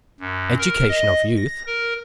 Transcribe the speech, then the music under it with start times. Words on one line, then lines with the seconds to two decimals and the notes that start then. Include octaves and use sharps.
Education of Youth.
0.20 F#2
0.58 A#4
0.89 D#5
1.37 A#6
1.67 A#4